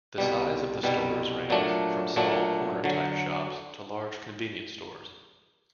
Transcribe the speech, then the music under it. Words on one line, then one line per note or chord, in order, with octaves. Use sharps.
The size of the stores range from smaller corner-type shops to larger convenience stores.
C2 B2 G3
C2 B2 G3
A#2 F#3 A3 D4
A#2 F#3 A3 D4
D3 F#3